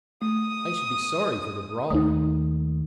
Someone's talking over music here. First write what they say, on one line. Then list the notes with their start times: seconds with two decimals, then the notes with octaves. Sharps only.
"I should be sorry for the brawler."
0.22 A3 D#6
1.90 D#2 A3 D#4 D#6